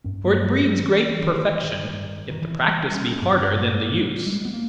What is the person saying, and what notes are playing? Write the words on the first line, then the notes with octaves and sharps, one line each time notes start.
For it breeds great perfection, if the practice be harder than the use.
G2 C#4
A#3
G#3
G3
G3
E3
D#3
G2 D#3
D#3
E3
G3
C#4
G2 B3
A#3
G3
G#3
B3
A#3